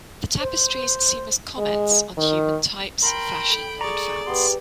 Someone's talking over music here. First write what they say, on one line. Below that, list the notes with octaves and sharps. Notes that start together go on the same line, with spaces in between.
The tapestries seem as comments on human types, fashion and fads.
C5
G#3
D#3
A#4 G5 B5 C6
A4
G#4 D5 A#5 C#6
B3 G4 B4 G5 C6